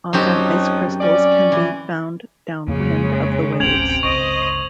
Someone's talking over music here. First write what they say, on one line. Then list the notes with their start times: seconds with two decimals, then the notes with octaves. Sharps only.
Often, ice crystals can be found downwind of the waves.
0.13 F#2 F3 F#3 C4 D#4 G4
1.01 C#4 D5
1.52 E3
2.68 F2 C#3 G#3 A#3
3.60 D1 A1 C3 C#4 G5 G#6 F7 F#7
4.03 G1 C#2 C5 D#5 C#6